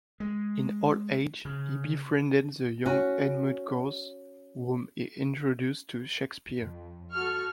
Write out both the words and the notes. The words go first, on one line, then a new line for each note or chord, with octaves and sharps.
In old age he befriended the young Edmund Gosse, whom he introduced to Shakespeare.
G#3
C#3
C#4 F#4
F2
F#4 A4 C#6 F6